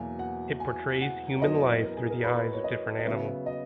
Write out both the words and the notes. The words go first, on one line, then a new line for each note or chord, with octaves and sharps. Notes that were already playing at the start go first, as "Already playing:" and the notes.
It portrays human life through the eyes of different animals.
Already playing: E2 B2 F#3 A#3 G#5
F#5
G#5
F#5
C#5
F#2 E3 B3 D#5
A#4
G#4
A#4
B4
C#5
D#5
D#5
C#3 F#3 B3 E5
D#5